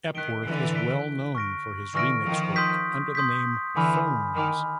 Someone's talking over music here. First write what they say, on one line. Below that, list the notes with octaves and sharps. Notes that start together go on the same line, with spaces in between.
Epworth is well known for his remix work under the name "Phones".
D#3 F#6 B6 D7 G7
D3 E3
F#6 B6 D7 G7
C#6 F6 A#6 D7
D3 E3 C#6 F6 A#6 D7
D#3 F3
C6 D#6 G6 B6
C6 D#6 G6 B6
D3 E3 G#5 B5 D6 F6
D#3 G#5 B5 D6 F6